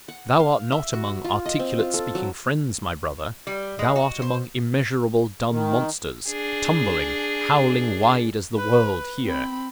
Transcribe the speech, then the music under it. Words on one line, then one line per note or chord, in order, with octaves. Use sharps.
Thou art not among articulate-speaking friends, my brother; thou art among immeasurable dumb monsters, tumbling, howling wide as the world here.
F#5
F5
E5
F#4
F4
D#5
C4
F4
A4
F#3
G3
G#3
F#4
C5
D#3
D4 G#4
B4
C4 B5